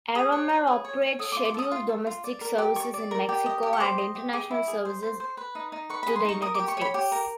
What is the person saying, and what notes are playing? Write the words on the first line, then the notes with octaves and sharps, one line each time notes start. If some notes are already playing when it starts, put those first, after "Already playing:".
Aeromar operates scheduled domestic services in Mexico and international services to the United States.
G#4 D#6
C#5
C#5
G#4
C#5
C#5
A4 D#6
D6
F4
D6
A4 D#6
F4
A4
F4
D5
A#4
G4
D5 C#6
D5
A#4
G4
D#5
G4
C#6
C5 D6
D#5
G4
G#4 D6
E4
G#4
C5
C5
C5
B4
D#4
D#4
B4 C#6
B5
G#4
C6
D#4 C#6
A#4 D#6
D6
G4
C#6
C#5 B5
G4
A#4